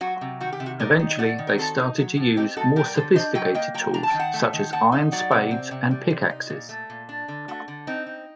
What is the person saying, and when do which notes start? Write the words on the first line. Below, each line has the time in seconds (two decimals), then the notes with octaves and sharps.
Eventually they started to use more sophisticated tools such as iron spades and pick-axes.
0.01 F#3 F#4
0.21 C3
0.40 D#3 F#4
0.52 G4
0.60 C3
0.66 F#4
0.79 D#4 A#4 D5
0.99 D#3
1.18 A3 D5 F#5
1.38 D#3
1.47 A#4
1.58 C4 F#4 A4
1.78 D#4
1.98 F#3
2.17 A2
2.37 C4 D#4 G4
2.57 D#4 F#4 A4
2.76 G3 G4 A#4
2.86 A#4
2.95 D3 A4 C5
3.16 D4 C5 D#5
3.35 F#3 D#5 G5
3.54 A#3 D#5 G5
3.74 F#3 G5 A#5
3.94 D4 A#5
4.03 A5
4.11 D#3 G5
4.19 F#5 A5
4.34 A3
4.53 D#3
4.72 A#3 F#5 A5
4.92 D#4
5.12 F#3 D5 F#5
5.31 C3
5.51 C4
5.71 C3
5.91 G3
6.10 C3
6.30 D#4
6.50 A#2
6.69 A3
6.90 A#2
7.09 D4
7.28 D3
7.48 A3 F#4
7.68 D3
7.87 C4 D#4
8.06 D#4